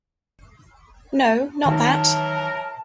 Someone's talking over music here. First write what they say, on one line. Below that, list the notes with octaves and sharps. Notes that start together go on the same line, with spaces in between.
No, not that!
D#3 E3 F#3 A#4 A5